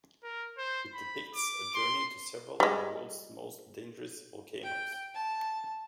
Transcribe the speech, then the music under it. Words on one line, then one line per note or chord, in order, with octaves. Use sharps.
It depicts a journey to several of the world's most dangerous volcanoes.
A#4
C5
B5
D6
C6
G3 G#3
G5
A5